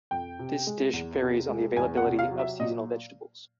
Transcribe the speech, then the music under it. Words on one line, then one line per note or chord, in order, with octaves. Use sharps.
This dish varies on the availability of seasonal vegetables.
F2 G5
C3
G#3
E2
C3
G#3
E2 G#5
F#5
C3
F5
F#3
E5
A#2 D#5